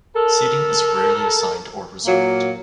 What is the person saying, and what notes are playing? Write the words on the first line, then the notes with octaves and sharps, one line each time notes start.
Seating is rarely assigned or reserved.
A4 A#4
A#2 F#3 A#3